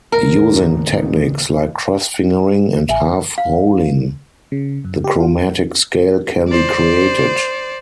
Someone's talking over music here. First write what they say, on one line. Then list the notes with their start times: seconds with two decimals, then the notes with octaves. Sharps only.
Using techniques like cross-fingering and half-holing, the chromatic scale can be created.
0.12 A1 D#2 A#4
2.89 A1 E5 G#5
3.38 F5
4.52 C#3
4.85 F#2
5.04 G4
5.20 F4
6.49 C5 D5